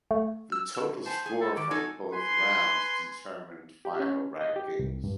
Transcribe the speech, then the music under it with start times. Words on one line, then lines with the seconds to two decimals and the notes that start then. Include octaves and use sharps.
The total score from both rounds determined final rankings.
0.11 A3
0.52 E6
0.75 E6
1.06 B3 C5 G#5 A5
1.26 G#4
1.41 A4
1.57 D#3 D6
1.71 D#4 F#4 A4 G#5
2.11 B4 G#5 C6
3.85 G4
4.00 C#4
4.41 D#5
4.56 G4
4.79 C2
5.04 G2